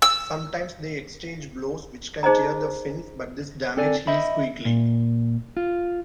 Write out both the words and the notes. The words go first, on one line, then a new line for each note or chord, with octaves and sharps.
Sometimes they exchange blows which can tear the fins, but this damage heals quickly.
E6
D#4 G#4 C5 D5 D#5 A#5
C4 A4 D5 G#5
C5 D#5 E5 B5
A#2
F4